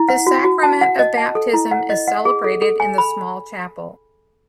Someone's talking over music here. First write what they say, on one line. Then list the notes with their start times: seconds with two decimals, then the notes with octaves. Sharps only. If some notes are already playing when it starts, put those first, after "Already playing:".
The sacrament of baptism is celebrated in the small chapel.
Already playing: E4
0.09 F#5
0.27 F#4
0.45 F#4
0.63 A5
0.81 F#5
0.99 D#5
1.18 A5
1.35 A4
1.53 E4
1.71 F#5
1.90 D#5
2.08 F#5
2.25 G#4
2.44 A4
2.62 A4
2.80 G#5
2.98 B5